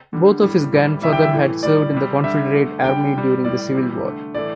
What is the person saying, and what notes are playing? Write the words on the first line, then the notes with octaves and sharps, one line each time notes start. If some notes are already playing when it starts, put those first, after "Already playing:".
Both of his grandfathers had served in the Confederate Army during the Civil War.
D3 G3
A2 G3
A2 E3 G3
C3 E3 G3 E5
G5
E5
A2 E3 A3
A2 G3 D5
C3 G3
D3 G3 E5
D3 A3
D3 G3 G5
C3 G3
A2 G3 D5
C3 E3 G3
D3 A3
A2 E3 A3 D5